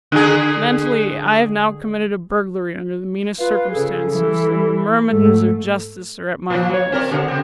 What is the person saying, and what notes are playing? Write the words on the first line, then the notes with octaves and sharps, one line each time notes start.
Mentally, I have now committed a burglary under the meanest circumstances, and the myrmidons of justice are at my heels.'
D3 G#4
F4 B4
C#3 G#4 A4
E3
G#2 A3 A4
A#2 F3
C#5
C4 A#4 D5
B2 D3
C#3 C4